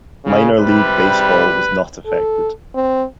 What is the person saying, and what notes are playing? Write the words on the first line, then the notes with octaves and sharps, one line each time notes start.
Minor League Baseball was not affected.
C#3
G#1 C3 G3 B4
A4
C4